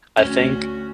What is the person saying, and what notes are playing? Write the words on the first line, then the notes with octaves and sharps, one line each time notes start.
I think
D2 C#4 F#4